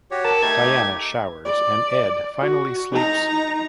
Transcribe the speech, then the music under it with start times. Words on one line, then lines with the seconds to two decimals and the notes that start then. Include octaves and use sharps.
Diana showers and Ed finally sleeps.
0.11 F#4 G4 C#5
0.25 A#4 A5
0.43 A3 D#4 G4 G#6
1.45 D5
2.41 F#4
2.92 D#4 A#5